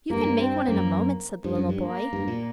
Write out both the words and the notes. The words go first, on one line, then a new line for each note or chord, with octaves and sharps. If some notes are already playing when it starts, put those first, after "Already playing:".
"You can make one in a moment," said the little boy.
G2 A#3
G2
C4
F#2 A#3
G2
F#2
G2
A#3
G2
A#2